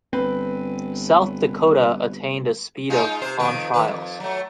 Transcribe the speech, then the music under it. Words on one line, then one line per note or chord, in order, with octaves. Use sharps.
"South Dakota" attained a speed of on trials.
G1 C4 B4
G#3 D#4 F4
C3 C5
F2 D#3 B4
D#3 B4
F2
F#3 A3